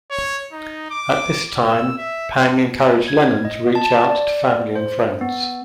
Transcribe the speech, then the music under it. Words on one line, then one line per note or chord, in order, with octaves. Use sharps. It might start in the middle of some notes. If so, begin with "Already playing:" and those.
At this time, Pang encouraged Lennon to reach out to family and friends.
C#5
D#4
D6
E6
E5
G#6
D#5
A5
D5
C5
B3